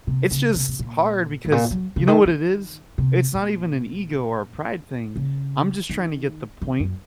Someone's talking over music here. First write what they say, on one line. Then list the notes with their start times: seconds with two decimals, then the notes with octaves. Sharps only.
It's just hard because, you know what it is? It's not even an ego or a pride thing, I'm just trying to get the point
0.07 C3
0.31 C#3
0.56 C3
0.68 C3
0.79 A#2
1.45 G#2
1.52 A#2
1.71 F#3
1.96 C#3
2.07 D#3
2.25 D#3
2.98 C3
3.35 A#2
5.16 C#3
5.90 D#3
6.62 D#3
6.80 F#2